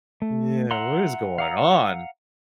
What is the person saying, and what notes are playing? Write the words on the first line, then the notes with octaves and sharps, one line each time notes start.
Yeah, what is going on?
A3
E5 F#5 A#5 C6
F5 F#5 A#5